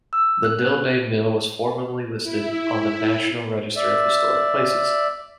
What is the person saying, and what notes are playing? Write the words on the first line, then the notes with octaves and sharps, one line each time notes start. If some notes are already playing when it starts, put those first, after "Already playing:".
The Dilday Mill was formerly listed on the National Register of Historic Places.
E6
F#6
E4
D5 E5